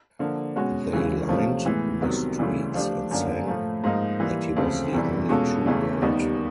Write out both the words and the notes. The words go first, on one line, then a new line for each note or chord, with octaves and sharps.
They lined the streets and sang that he was the only true god.
D3 F3 A#3
B2 G#3 C#4 F#4
D#2 C#3 E3 G#3
C3 F3 A3 C#4 F4
A2 E3 G#3 B3
C2 C3 D#3 F#3 B3
D2 C#3 E3 G3
F3 A3 D4 G4
F#2 D3 F3 A#3 D4
A2 F3 A3
G#2 F3 A#3 D#4
E3 G3 A#3
D2 C#3 F3 A3 C4
E2 C3 E3 G3
B2 G#3 C#4 F4 A4
E2 C#3 E3 A3 C#4
D#2 D#3 G3 B3 D#4